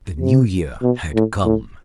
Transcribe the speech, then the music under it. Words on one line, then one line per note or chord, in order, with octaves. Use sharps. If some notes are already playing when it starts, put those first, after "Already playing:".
The new year had come.
C3
B2
A2
A2